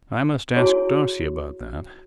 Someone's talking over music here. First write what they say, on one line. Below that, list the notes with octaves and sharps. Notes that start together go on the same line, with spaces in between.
I must ask Darcy about that.
E4 F#4 G#4 C#5